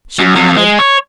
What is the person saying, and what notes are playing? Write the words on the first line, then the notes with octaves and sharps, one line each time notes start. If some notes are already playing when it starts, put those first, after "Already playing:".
She nodded.
F#2
F2
G#3
C#5